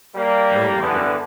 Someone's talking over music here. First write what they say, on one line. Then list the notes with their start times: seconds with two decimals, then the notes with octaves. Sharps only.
No, mother!
0.15 G3 A#3
0.82 G2 D3 E3 B3